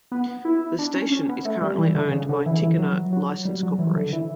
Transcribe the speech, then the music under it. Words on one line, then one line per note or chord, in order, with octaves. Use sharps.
The station is currently owned by Tichenor License Corporation.
B3
E4
D4
C#4
C#4
B3
A3
G3
E3
D3
C#3
D3
E3
E3
F#3
F#3
G3
F#3
E3
D3
E3